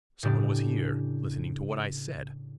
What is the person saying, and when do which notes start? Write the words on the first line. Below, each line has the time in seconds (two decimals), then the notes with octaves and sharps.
Some one was here--listening to what I said!
0.23 A2 C#3 D4 G4